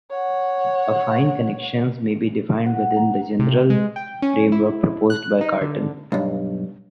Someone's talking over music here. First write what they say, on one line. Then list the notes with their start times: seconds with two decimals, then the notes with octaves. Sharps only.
Affine connections may be defined within the general framework proposed by Cartan.
0.11 C#5 F#5
2.66 F#5
2.96 A#5
3.39 C3
3.70 G#3
3.96 G5
4.22 C#4
4.52 E4
5.10 F#6
5.41 D#4
5.61 D3
6.12 B1 G2